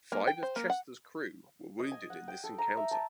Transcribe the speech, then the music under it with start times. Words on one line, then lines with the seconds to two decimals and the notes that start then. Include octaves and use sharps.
Five of "Chester"s crew were wounded in this encounter.
0.12 A#3
0.27 G5
0.43 C5
0.56 A#3
0.70 F#5
1.79 D#5
1.92 G#5
2.10 F#5
2.28 G5
2.44 A4
2.58 A#5
2.77 E5
2.91 A5